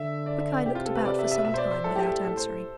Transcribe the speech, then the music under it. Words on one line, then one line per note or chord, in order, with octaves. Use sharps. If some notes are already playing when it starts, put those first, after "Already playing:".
Quickeye looked about for some time without answering.
Already playing: D3 E5
D5
E5
D5
C3 G4
F4
A4
B4
D5
E5
E5
B2 E5
C5
D5
C5
A2 A4
G4
A4
A2 A4
C5